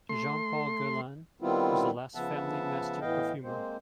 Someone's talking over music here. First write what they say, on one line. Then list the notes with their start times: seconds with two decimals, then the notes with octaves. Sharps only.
Jean-Paul Guerlain was the last family master perfumer.
0.09 A3 C6
1.42 D#3 G3 B3 C4 E4 F4
2.15 C#3 F3 B3 E5 F#5 A5
3.01 A2 E3 B3 D#5 F5 G5
3.43 G#3 A#3 C4 C5